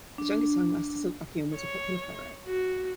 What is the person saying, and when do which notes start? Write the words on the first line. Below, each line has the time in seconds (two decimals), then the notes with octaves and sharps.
His youngest son, Leicester Silk Buckingham, was a popular playwright.
0.18 D4
1.54 C#5
2.46 F#4